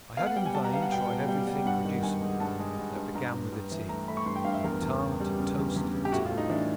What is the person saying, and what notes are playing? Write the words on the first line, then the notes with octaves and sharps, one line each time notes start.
I had in vain tried everything producible that began with a T, from tar to toast and tub.
B3 F5
F#5
G3 G5
G#5
G3 A5
A#5
B3 F5
F#5
B2 G5
B3
G3
G3
G2 F#5
D#3
G2 G#5
G#3
G2 A5
G#3
G2
G2
G2 A#5
G2
G2
E3
A3 A#5
A3 B5
C#6
G2 C6
G5
G2 F5
E5
E2 A#4
E2
C#3
G3
C#3
E2
E2
C#3
G4
A2 F#4
F4
A3
D#4
E3 D4